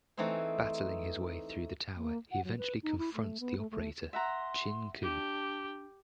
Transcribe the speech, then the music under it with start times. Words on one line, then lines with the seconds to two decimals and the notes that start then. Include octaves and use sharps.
Battling his way through the tower he eventually confronts the operator, Chin Ku.
0.17 E3 A3 C4 D#4 G#4 C5
1.96 A#3
2.31 F#5
2.44 F#3
2.58 B4
2.83 D#4
2.98 E4
3.15 A3
3.40 B3
3.58 A3
3.71 A3
4.13 E5 F#5 A#5 C6
5.02 D4 G4